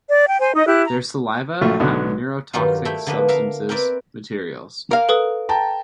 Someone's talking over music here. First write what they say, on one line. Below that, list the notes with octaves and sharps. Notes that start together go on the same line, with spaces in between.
Their saliva have neurotoxic substances.materials.
D5
G5
C5 G#5
D#4 D#5
E4 G4 F#6
A#5
A#1 F#3 A3 F4 C#6
B1 D3 B3
G2 D#3 F#3 G3 F4
A3 E4 E5 G5
D3 F3 A#3 B3 B4
A#4 E5 F5
C4 A#4 B4 D5 E5
A#4 F5
A4 B4 D#6
G5 A5 A#5